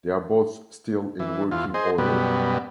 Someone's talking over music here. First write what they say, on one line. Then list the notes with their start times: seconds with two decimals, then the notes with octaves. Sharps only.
They are both still in working order.
1.20 E3
1.51 E2 F4
1.74 G#4 C5 D#5
1.98 F#2 B2 G3 B3